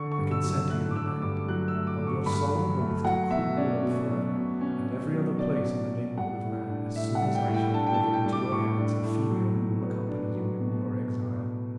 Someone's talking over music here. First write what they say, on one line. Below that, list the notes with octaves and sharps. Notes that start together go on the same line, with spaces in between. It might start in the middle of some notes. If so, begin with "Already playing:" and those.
"I consent to your demand, on your solemn oath to quit Europe forever, and every other place in the neighbourhood of man, as soon as I shall deliver into your hands a female who will accompany you in your exile."
Already playing: D3 C#6
C#6
G2
E6
F#3
E6
A3 F#6
D6
D3 E6
G2 D6
F#3 F#6
E6
A3
D6
D3
C#6
G2 B5
F#3
A3
F#3 F#5
B2 E5
C#4 D5
B2
F#3
B2
C#4
B2
F#3
B2 D5
C#4
B2
G3 F#5
A2
D4
A2 E5
F#5
G3
G5
A2
G5
D4 A5
G5
A5
A2
G5
G3
D6
A2 C#6
D4
A2
F#3
B2
B3
D4
F#3
B2